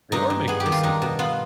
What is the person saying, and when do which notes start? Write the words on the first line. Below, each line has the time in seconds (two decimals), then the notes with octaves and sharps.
They are making a sequel.
0.12 G2 D#4
0.30 G2
0.48 B3 G#4
0.60 G4
0.66 D#3
0.72 F4
0.83 D4 D#4
1.02 B2
1.19 B3 F4